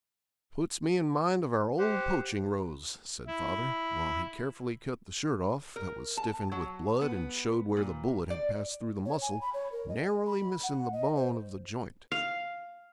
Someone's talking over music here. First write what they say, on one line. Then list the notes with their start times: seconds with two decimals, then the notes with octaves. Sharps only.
'Puts me in mind of our old poaching rows,' said father, while he carefully cut the shirt off, that was stiffened with blood and showed where the bullet had passed through the muscle, narrowly missing the bone of the joint.
1.79 G4 C5 F#5
3.27 E4
5.76 A#4
6.17 A5
6.52 F#3
7.01 B3
7.77 A#2
8.30 D5
9.05 C#5
9.22 G#5
9.41 B5
9.54 C#5
9.72 A#4
9.89 D#5
10.26 B5
10.63 F#5
10.93 D#5
11.16 C5
12.12 F5